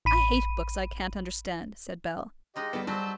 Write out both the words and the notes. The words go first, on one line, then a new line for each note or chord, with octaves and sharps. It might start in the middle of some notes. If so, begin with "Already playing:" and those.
"I hate books I can't understand," said Bell.
A1 B5 D#7
G#3 D#4 F4 G4 D#5
G3 B3 A4
F#3 G3 C5 A5 E6 G6